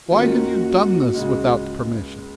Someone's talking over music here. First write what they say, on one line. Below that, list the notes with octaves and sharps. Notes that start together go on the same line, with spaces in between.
Why have you done this without permission?
D#2 D#3 A#3 C#4 F4 F#4
C#2 C#3 G#3